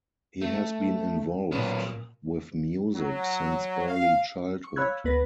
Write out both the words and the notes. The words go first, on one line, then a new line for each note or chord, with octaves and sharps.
He has been involved with music since early childhood.
A3
A#2 F#3 B3 C#4
F#3
F5
C#6
C#5 F5 B5 E6 F#6 G#6
D2 B3 B4 A#6